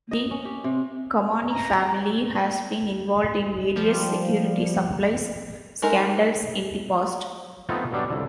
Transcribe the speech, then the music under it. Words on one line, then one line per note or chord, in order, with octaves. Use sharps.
The Kamani family has been involved in various security supplies scandals in the past.
D#5
C#4
G4
C3
A#5
F3 G3
G#3 A3 D#4 A#4
F3 A3 B3 C4 D#4 F4
B2 F#3 G3 D4
C2 F2 D3